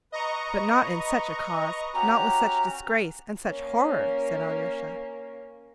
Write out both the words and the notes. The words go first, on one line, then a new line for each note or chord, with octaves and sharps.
"But not in such a cause, not with such disgrace and such horror!" said Alyosha.
B4 D#5 A#5 C#6
C#4 F#4 G4 A#5
A#3 C#4